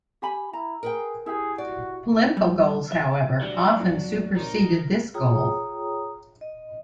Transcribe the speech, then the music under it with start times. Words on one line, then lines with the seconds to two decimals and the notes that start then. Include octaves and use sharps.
Political goals, however, often superseded this goal.
0.22 G4 G#5 B5
0.53 E4 A#5
0.83 G#4 A#4 B4 G5
1.26 E4 G4 G#4
1.58 F#4 D5
2.37 G3
2.92 E5
3.42 D2 F#3 G3 D4 G5
3.79 F2 G#2 F3
4.36 A#1 C3 D#4 A#4 C#5
5.14 F4 G#4 C#5 G5 A#5 D#6
6.41 D#5